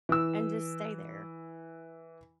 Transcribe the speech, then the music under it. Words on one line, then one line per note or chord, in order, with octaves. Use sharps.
and just stay there.
E3 E6